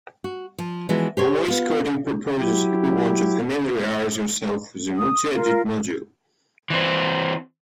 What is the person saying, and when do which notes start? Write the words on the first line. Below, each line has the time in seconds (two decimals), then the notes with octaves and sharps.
For voice coding purposes, you'll want to familiarize yourself with the multiedit module.
0.24 F#4
0.58 F3
0.89 E3 F3 G#3 B3 E4 F#4
1.17 G4 C5 C#5
1.48 B3 F4
2.37 F#3 E4 G4
4.97 D#6
5.34 F4 A#4 F5
6.70 E3 C4